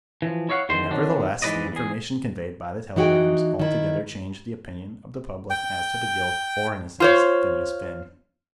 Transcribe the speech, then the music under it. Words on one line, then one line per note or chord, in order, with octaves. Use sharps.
But nevertheless the information conveyed by the telegrams altogether changed the opinion of the public as to the guilt or innocence of Phineas Finn.
E3 F3
E4 C#5 D#5 F5 F#5
E2 D#3 C5 C6
D#3 F#3 C4 D4
G#2 E3 G3 B4 D5 D#5
E2 G#4
E3 D#4 F#4 G#4 G5
D#3 E4
G5
F4 C5 C#5